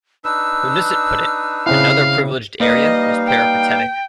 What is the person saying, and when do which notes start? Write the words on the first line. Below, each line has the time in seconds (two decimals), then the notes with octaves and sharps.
Hunnisett put it, Another privileged area was peripatetic.
0.24 D4 D#4 B4 E6
1.66 C#3 C4 E4 F5
2.60 G3 A#3 D#4 B4 D#5 F5
3.27 G5